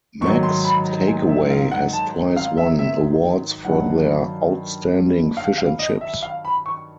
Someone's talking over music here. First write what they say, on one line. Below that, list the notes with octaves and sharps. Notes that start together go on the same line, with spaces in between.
"Macs Takeaway" has twice won awards for their outstanding fish and chips.
G#2 D#3 F#3 C#6
C6
B5
A#5
G#5
E5
F5
F#5
A5
F5
E5
E5
G2 D#3 F#3 F#5
F5
F5
D#5
E5
F5
B5
C#6